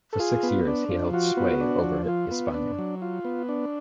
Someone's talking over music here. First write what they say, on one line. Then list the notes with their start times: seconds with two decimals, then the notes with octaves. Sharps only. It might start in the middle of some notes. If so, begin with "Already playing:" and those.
For six years he held sway over Hispania.
0.13 A4
0.19 F4 G#4
0.43 B3
0.67 D4
0.90 F3
1.13 F4 F#4
1.37 B3
1.61 D4
1.84 F3
2.08 F4
2.31 B3
2.54 D4
2.79 F#3
3.02 F4
3.25 B3
3.49 D4